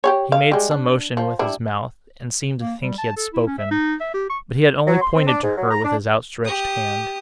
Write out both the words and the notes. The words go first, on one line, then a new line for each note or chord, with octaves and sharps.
He made some motion with his mouth, and seemed to think he had spoken; but he had only pointed to her with his outstretched hand.
G4 G#4 C#5
F5
G3 G#3
D4
F3
G3 D4 E4
A#3
G3
A5
A4
E4
C#4
E5
D#4
E5
G4
C#6
F#3
C6
C4
D4
G#2
F#3
A#5
D4
G4 D#6